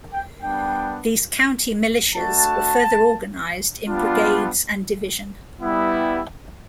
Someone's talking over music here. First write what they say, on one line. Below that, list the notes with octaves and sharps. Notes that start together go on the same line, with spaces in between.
These county militias were further organized in brigades and division.
G5
G3 B3 D4 G5
A3 D4 F#4 A5
G3 B3 D4 F4
G3 B3 E4